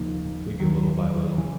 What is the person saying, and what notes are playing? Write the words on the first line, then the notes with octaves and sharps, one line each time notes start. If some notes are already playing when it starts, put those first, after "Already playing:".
M take it little by little.
Already playing: D#2 C#3 F3 A#3 D#4
D#2 D#3 F#3
C#3 E3